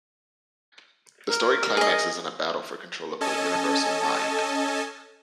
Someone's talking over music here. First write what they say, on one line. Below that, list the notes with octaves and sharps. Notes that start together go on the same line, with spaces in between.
The story climaxes in a battle for control of the Universal Mind.
A#4
G#4 D#5
C#4 A4 D#5 G#5 A5